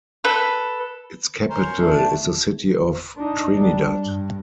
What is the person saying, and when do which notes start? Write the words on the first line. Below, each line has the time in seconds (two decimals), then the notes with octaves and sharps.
Its capital is the city of Trinidad.
0.24 A4 B4 E6
1.50 C#4 A#4 C5
1.78 A3 D4
1.94 A5
3.16 D4 D#4
3.55 G3 D4
4.04 G2